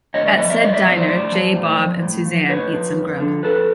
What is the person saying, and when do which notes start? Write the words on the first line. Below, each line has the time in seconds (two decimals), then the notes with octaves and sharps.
At said diner, Jay, Bob, and Suzanne eat some grub.
0.14 A2 C#5 D#5
0.26 D5 E5
0.38 F3 C#5 D#5
0.50 D5 E5
0.61 A2 C#5 D#5
0.73 D5 E5
0.85 F3 D5 E5
0.97 C5 D5
1.08 A2 C5 D5
1.32 F3
1.55 A2
1.78 F3
2.02 A2
2.26 F3
2.49 A2 B4 C#5
2.73 F3
2.96 F2
3.20 D3 F3
3.43 F2 A4 B4